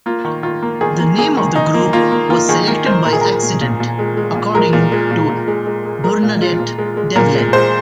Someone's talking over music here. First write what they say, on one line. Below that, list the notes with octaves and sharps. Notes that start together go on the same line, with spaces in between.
The name of the group was selected by accident, according to Bernadette Devlin.
A#3 F4
D#3
D#3 F4
A#3
D#3 G#4
A#3
A#3 G#4
D#3
D#3 D#4
A#3
A#3 F4
A#3
A#3 F4
D#3 G#4
A#3 A#4
D#3 C5
A#2 A#4
G#4
G#3 A#4
A#2
A#2
A#2
G#3
G#3
A#2
G#3 A#4
A#2
G#3
A#2
A#2
G#3
G#3
G#3
G#3 A#4
A#2
G#3 F4
A#2
G#3
G#3
A#2 A#4
G#3
G#3 C5